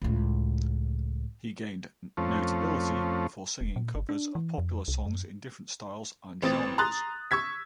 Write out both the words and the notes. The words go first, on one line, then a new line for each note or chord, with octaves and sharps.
He gained notability for singing covers of popular songs in different styles and genres.
C#2 A2
F2 F3 A3 C4 C#4
E1
A#2
G1
D4
E3
F2
C2
F#2
A1 C4 D#6 A6
A#5 C6 D#6 F#6 A6
C#6 E6 G#6 B6